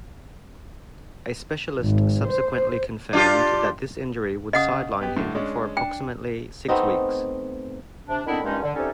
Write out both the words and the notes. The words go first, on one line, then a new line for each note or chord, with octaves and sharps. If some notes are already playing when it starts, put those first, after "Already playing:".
A specialist subsequently confirmed that this injury would sideline him for approximately six weeks.
G#1
C5
D4 F4 G4
C#3 D#5 F#5 D#6
B3 G4
A2 D3
G#3 C#4 D4
D4 G5
A3 B3 C4 D#4
C3 D4
D3 D#3 B3 C4 D4 E4
G2 A#2 G#3 C#4 D#4
D3
C3 G3 C#4 D#4 A4